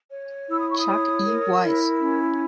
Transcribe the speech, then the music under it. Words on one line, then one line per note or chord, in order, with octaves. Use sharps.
Chuck E. Weiss.
C#5
E4 E6
D#6
C#6
D#6
C#5
A#4
E4
C#4